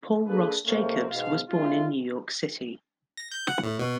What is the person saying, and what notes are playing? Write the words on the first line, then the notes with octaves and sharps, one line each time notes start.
Paul Ross Jacobs was born in New York City.
A#3 D4 G#4 A4 B4
F2 C3 A3 A#3 C4 C#4
G#2 B2 F5
G#3 C#4 E4 F4
A#6
G6
F#5
A2
B2